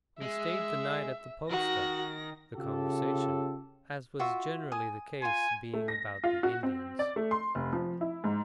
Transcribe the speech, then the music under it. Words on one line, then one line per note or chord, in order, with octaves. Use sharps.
We stayed the night at the posta, the conversation, as was generally the case, being about the Indians.
G#3 E5
D#3 F#4 A#6
C#3 F4 G4 A4
F4 F#4 E5
G#5 D#6
F4 G#5 C6
A3
A#6
F4
F#4
C4
D5
A3
C6
F1
F3
E4
G#2